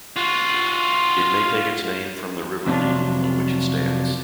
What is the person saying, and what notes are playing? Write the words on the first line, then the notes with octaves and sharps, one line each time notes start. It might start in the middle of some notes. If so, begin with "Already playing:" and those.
It may take its name from the River Leadon on which it stands.
F4 F#4
F2 C3 F#3 D4 F4